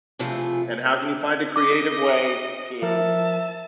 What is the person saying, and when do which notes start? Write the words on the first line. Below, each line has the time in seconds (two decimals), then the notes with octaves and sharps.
and how can you find a creative way to
0.19 C3 E3 F3 A3 F4 G#4
1.56 D#5 D6
2.82 F3 A#4 E5 A5